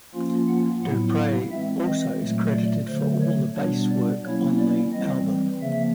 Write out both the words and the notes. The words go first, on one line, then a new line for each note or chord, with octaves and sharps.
DuPree also is credited for all of the bass work on the album.
F3 A#3 C#4 F4
F#5
A2 F#3 B3 E4 F#5
F5
E3 G#3 C4 E5
D#5
A#2 F#3 A3
D5
D3 F#3 A3 C5
C#5
B2 G3 B3 D4 C#5
D5
F#3 A#3 C#4 E4 C#5
D5
E3 G3 C4 D#5
C#3 F3 A#3 E5